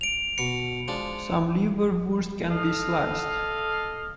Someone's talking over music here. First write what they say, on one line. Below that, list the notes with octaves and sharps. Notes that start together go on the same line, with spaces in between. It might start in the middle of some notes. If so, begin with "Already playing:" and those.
Some liverwursts can be sliced.
D7 F7
B2 C6 C#7
F3 G#3 D4
A4 D#5 F5